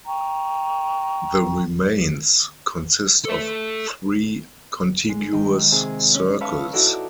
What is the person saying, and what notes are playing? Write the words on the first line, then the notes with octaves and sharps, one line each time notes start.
The "remains" consist of three contiguous circles.
G5 A#5 C#6
A4 E5
G#3
D#3
C3 G#4
C#4
B4 E5 F5 A5 C#6
D#4 E4 F#4 A4 D5